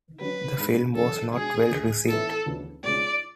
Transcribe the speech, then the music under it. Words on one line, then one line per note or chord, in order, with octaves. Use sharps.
The film was not well received.
D3 F#3 C#4 F#4 B4
G#2 G#3 D4
E2 D3 F#3 C#4 A4
B2 G#3 D4 F#4 G#4
D2 D3 A3
A2 E3 B3 E4 A4
D2 C#3 E3 B3 D4
C#2 B2 G#3 C#4 D5